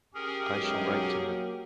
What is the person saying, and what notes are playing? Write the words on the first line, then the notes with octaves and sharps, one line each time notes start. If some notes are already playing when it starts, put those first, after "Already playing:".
I shall write to him.
C#4 G4 G#4 A#4
B1 F#2 F#3 G#3
A#3